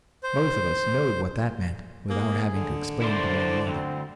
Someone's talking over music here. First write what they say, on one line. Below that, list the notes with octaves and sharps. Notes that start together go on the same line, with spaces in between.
Both of us knowed what that meant, without having to explain to one another.
C5
A#3 G#4
D3
E4 C5 D5
D2 C4